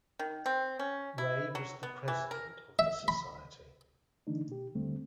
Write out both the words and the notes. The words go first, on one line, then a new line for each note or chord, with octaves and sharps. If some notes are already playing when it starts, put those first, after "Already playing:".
Ray was the President of the society.
D#3
C4
C#4
E4
F#3
B3
E3
A#4
E5
B5
D3 E3 A3 D4 D#4
B2 G4
D#2 D3 G3 A3 C4